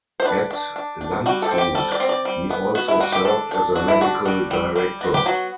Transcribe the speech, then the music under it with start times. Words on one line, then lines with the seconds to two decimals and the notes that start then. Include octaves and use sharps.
At Landshut, he also served as a medical director.
0.20 C5
0.25 D4 B4
0.51 D4
0.76 D4
1.01 D4
1.26 G3 F#4
1.42 A4
1.51 C4
1.58 G4
1.75 G3 A4
1.92 D5
2.00 C4
2.09 D5
2.25 G3
2.50 B3
2.75 B3 F#4
2.88 E4
3.00 G3 F#4
3.12 G4
3.25 D4 A4
3.51 D4
3.75 D4 F#4
3.88 E4
4.01 D4 F#4
4.25 G3 F#4
4.51 G3
4.76 G3
5.01 B3
5.14 G4
5.26 F#3 F#4